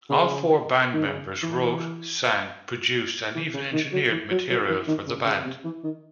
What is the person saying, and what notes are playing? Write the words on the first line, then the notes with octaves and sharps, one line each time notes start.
All four band members wrote, sang, produced and even engineered material for the band.
C#3
D#3
C#3
E3
E3
C#3
D#3
F#3
E3
F#3
F#3
E3
D#3
C#3
C#3
C3
E3
D#3